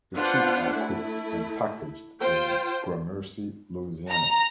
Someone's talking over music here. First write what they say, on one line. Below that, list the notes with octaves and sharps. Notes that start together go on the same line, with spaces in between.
The chips are cooked and packaged in Gramercy, Louisiana.
B3 D4 F4 C5 F#5
A3 E4
F4 C5 G5
A#5